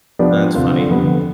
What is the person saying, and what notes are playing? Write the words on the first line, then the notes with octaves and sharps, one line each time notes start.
That's funny.
F3 B3 D4 G4
D3 F3 C4 F4 A4
F2 D3 G3 B3